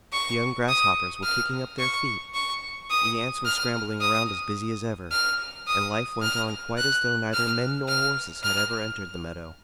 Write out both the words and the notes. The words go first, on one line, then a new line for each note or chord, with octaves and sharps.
The young Grasshoppers were kicking up their feet, the Ants were scrambling around as busy as ever, and life went on quite as though neither men nor Horses had ever entered the meadow.
C#6
D#6
F6
C#6
C#6
D#6
F6
D#6
F6
D#6
F6
F#6
F6
F6
F6